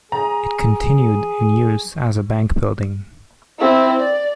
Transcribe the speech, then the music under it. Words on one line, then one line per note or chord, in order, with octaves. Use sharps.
It continued in use as a bank building.
G#4 A#5
C4 E4
D5